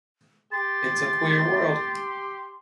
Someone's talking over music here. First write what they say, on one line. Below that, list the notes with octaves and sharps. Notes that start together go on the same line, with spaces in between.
It’s a queer world.
G4 C6 A6